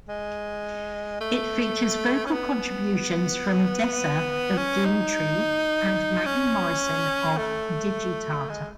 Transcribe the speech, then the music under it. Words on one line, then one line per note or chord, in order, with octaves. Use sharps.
It features vocal contributions from Dessa of Doomtree and Maggie Morrison of Digitata.
G#3
A3
C#4
B3
C#4
D#4
C#4
A3
G#3